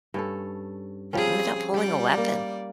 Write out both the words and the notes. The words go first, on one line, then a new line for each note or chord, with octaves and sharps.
he ended up pulling a weapon.
G2 C#4 A4
F3 G3 C4 C#4 G#4
G3 G4 D5
A#3